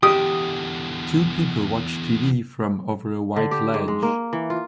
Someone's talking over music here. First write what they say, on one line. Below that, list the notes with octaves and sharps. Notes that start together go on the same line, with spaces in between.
Two people watch TV from over a white ledge.
E2 D3 G4 D#6
D3
G4
G#2
G#3
A#3
E3
F4